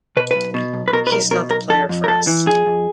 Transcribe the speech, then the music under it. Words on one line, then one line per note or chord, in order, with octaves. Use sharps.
He's not the player for us.
B2 B4
B1 B4
B2
B1
B4
B2 A#4
B4
B1 A#4
B2 A#4
B1 A#4
F2 A4
F2
A#4
F2 A4
E3
F2 G#4
F2